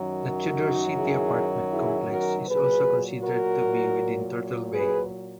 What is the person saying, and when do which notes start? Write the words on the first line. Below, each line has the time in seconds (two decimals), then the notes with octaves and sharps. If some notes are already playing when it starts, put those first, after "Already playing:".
The Tudor City apartment complex is also considered to be within Turtle Bay.
Already playing: F#2 D#3 F#3
0.59 D#4 F#4
0.97 E4 G#4
1.72 E4 G#4
2.10 F#4 A#4
2.48 A#2 F#3 G#4 B4
3.23 F#4 A#4
4.74 G#4 B4